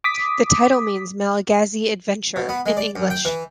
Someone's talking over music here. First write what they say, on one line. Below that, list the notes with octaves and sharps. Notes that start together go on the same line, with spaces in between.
The title means "Malagasy Adventure" in English.
D6 D#6 B6
B2
B3
G#3
D5
F#2
G5
E3